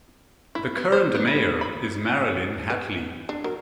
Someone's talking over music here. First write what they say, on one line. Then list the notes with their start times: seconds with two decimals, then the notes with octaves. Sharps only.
The current mayor is Marilyn Hatley.
0.55 E4
0.77 B3
0.92 C5
1.15 B3
1.28 B5
1.61 B5
2.70 B4
3.29 D4
3.44 F#3 A#4